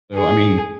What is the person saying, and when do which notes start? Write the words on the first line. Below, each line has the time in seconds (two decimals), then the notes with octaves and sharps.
So, I mean,
0.15 G#4